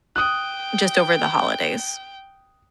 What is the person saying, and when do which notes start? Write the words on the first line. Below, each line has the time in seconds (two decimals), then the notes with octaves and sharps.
just over the holidays?
0.16 G5 D#6 F#6